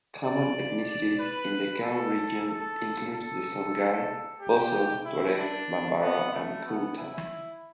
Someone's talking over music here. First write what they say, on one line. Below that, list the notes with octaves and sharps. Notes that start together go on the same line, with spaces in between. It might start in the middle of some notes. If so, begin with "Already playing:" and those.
Common ethnicities in the Gao Region include the Songhai, Bozo, Tuareg, Bambara, and Kounta.
D5
D5
B4
A4
A4
A4
G4
E4
D4
B3
A3
B3
E4